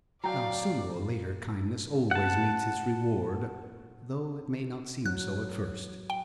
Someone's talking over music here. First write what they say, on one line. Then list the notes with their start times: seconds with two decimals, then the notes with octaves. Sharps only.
Now sooner or later kindness always meets its reward, though it may not seem so at first.
0.24 F#3 D5 F5 G5 A5 A#5
2.11 F#5 A5
5.06 F#3 F#6
6.10 G5